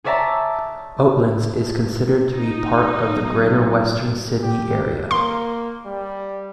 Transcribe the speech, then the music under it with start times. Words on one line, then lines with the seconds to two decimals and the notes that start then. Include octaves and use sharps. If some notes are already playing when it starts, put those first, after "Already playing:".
Oatlands is considered to be part of the Greater Western Sydney area.
0.04 G#4 C#5 D5 E5 A5 A#5
2.34 D#4
3.15 B1
4.43 G4
5.11 A#3 C6
5.86 G3